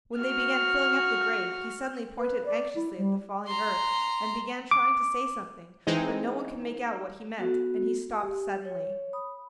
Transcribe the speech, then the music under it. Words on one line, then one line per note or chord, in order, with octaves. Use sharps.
When they began filling up the grave, he suddenly pointed anxiously at the falling earth and began trying to say something, but no one could make out what he meant, and he stopped suddenly.
F#4 F6
B4
D5
E4
G3
A#5 C6
D6
E3 G#3 C4 D#4
B3 F#4 A4
G4
C#5
B5 D#6